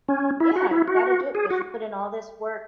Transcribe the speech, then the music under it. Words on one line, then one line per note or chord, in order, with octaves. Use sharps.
Yeah, you gotta do it because you put in all this work
C#4
E4
F#4
E4
F#4
G#4
F#4